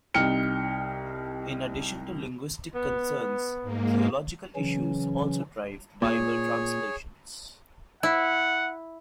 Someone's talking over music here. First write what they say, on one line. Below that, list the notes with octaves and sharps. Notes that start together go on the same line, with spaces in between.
In addition to linguistic concerns, theological issues also drive Bible translations.
C2 D#4 G5 F6 C#7 G7
B3
G#2 A#3
C#3 E3 F#3 C#4
A#2 G#4 C#5
E4 F#5